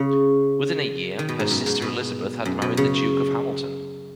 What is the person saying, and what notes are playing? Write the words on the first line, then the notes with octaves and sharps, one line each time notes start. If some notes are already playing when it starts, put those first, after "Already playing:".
Within a year, her sister Elizabeth had married the Duke of Hamilton.
Already playing: C#3
D#3
B2
G#2
F#2
G#2
B2
F#2
B2
C#3